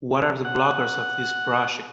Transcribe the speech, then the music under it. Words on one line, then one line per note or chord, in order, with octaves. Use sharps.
What are the blockers of this project?
F#5